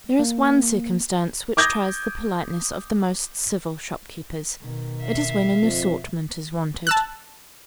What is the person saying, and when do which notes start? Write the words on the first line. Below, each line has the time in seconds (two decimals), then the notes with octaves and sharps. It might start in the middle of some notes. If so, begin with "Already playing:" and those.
There is one circumstance which tries the politeness of the most civil shopkeepers; it is when an assortment is wanted.
0.19 A#3
1.57 D6 D#6 G6 G#6 A#6
4.60 B2 D#3
5.02 E5 F5
5.62 F2
6.87 A5 E6 F#6